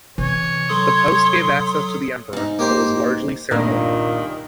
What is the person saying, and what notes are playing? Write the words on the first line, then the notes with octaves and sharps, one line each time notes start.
This post gave access to the emperor but was largely ceremonial.
C3 E3 C#5
F#3 A4 C6 D#6
G#2 D#4
A#3 G4 C5
C2 G2 A#2 D#3 A#3 A#4